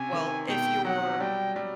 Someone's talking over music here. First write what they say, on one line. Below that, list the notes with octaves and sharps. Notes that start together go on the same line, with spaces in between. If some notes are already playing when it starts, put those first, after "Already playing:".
Well, if you're
Already playing: C3 C#4 G#5
D#3
B2 G5
F#3 F#5
G3 G5
G3